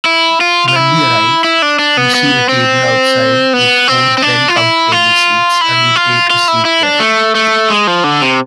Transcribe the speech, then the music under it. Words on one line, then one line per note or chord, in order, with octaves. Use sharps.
When we arrive, we see a table outside with four very comfortable seats and we take a seat there.
E4
F4
F4
E4
E4
D4
D4
B3
B3
C4
B3
C4
C4
D4
F4
E4
F4
E4
F4
F4
E4
E4
D4
A3
A3
G#3
F3
D3
C3